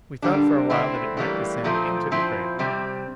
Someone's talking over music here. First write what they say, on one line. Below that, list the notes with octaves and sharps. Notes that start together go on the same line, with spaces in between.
We thought for a while that it might descend into the crater.
D3 G3 A#3 D4
D3 A3 C4 E4
A2 E3 G3 A#3
A#2 F3 A3 C4
A#2 F3 C4 E4
C3 G3 C4